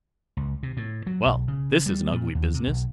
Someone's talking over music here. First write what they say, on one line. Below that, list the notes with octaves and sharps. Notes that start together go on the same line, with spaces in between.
'Well! this is an ugly business!
C#2
C3
A2
F#3
B1
C#3
G3
A#2
D#2
C3
B1